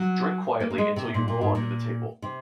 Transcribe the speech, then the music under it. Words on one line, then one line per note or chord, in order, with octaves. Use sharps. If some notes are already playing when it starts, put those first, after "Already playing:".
Drink quietly until you roll under the table.
Already playing: F#3
A#3
A#3
G#3
C3
A#2
A#2
G#2
A#2
C3